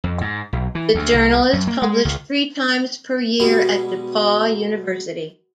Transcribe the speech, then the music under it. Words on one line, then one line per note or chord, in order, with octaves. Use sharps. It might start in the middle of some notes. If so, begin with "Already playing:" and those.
The journal is published three times per year at DePauw University.
F2
G#2
B1
E3
D2
C2
F#2
A#3
G#3
C#2
B2 G3 G#3